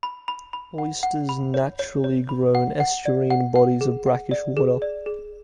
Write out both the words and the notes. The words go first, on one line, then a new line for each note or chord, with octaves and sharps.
Oysters naturally grow in estuarine bodies of brackish water.
B5
B5
B5
F#5
F#5
B5
C#5
C#5
C#5
B5
F#5
F#5
D5
F#5
F#5
G#4
F#5
D5
G#4
D5
G#4